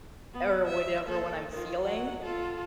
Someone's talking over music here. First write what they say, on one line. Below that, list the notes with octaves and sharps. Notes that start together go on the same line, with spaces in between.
or whatever when I'm feeling.
B3
E5
A#3 A4
D#3 F4
F#3 F#5
F4 A4